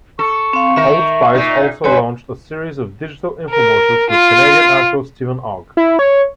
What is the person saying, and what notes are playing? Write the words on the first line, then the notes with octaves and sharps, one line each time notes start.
Old Spice also launched a series of digital infomercials with Canadian actor Steven Ogg.
A4 C#6
C4 F5
D#3 A#4 E5
A#2 D#4
G2 B4 C#5 G#5 C6
A#4
F4
E4
C#5